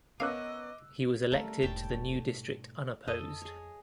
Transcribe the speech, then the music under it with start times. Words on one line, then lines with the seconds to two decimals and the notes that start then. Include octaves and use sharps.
He was elected to the new district unopposed.
0.20 B3 C#4 A#4 D#5 F5 D6 E6 F#6
1.32 G3 A3 C4 C#4 A#4
1.62 E1 G#2 C#5 G5 A5
2.15 G#2 B2
3.07 F2 A4 D#5
3.42 G#4 C#5